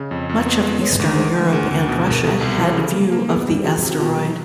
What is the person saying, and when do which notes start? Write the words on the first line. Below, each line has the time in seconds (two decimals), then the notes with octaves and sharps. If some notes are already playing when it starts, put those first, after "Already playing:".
Much of eastern Europe and Russia had view of the asteroid.
Already playing: C#3 C#5 D#5
0.11 F2
0.29 F2
0.46 B3
0.63 G#3
0.81 G#3 B4 C#5
0.99 D2
1.17 G#3 A#4 C5
1.35 D2
1.43 B4
1.52 D2 G#4 A#4
1.71 D2
1.88 B2
2.06 B2
2.13 A#4
2.23 B2 G4 A4
2.41 C2
2.58 E3
2.76 C#3
2.94 A#3
3.12 A#3
3.29 B3 G#4 A#4
3.47 G3
3.64 F3 F#4 G#4
3.82 C3
3.90 F#4
4.00 B2 F4 G4
4.18 F#3